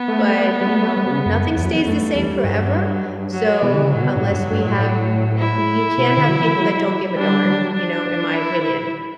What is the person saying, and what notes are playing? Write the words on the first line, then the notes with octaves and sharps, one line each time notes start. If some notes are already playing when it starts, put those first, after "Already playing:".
but, you know, eh nothing stays the same forever. So, unless we have eh I you can't have people that don't give a darn, you know, in my opinion.
Already playing: B3
A3
G3
A3
A3
G3
B2
C#3
F#2
E2
F#2
E2
F#2 A3
G2
E2 G3
G2 F#3
F#3
B2 E3
D3
C#3
A2 F#3
B2
G2
A2
F#2
G2
G2
A2
E4
B2
D3
F#3
E3
F#3
G3 D4
F#3
G3
F#3
D4
E4
E4